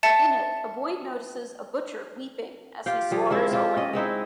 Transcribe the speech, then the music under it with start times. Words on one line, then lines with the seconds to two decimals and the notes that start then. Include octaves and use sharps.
In it a boy notices a butcher weeping as he slaughters a lamb.
0.03 E5 A5 A6 C#7
2.86 F4 G4 F5 G5
3.11 F3 G3 G#4
3.30 G#3 C4 E4 F4
3.51 C4 F4 G4
3.77 C#4 D#5
3.93 G#3 C4 D#4 E4